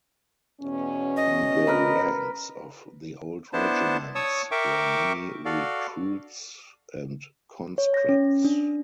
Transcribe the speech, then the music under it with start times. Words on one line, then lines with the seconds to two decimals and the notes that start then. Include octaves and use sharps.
In the ranks of the old regiments were many recruits and conscripts.
0.61 E2 B2 C#4
1.17 D#5
1.67 A#4 B4 B5
3.53 B3 D4 E4 C5 A5
4.15 C#5 A5 C#6 D#6 E6
4.51 A#4 E5 G5 C#6 D6
5.45 F#4 A4 D5 F5
7.78 C#5
7.94 A#6
8.09 C#4
8.45 D4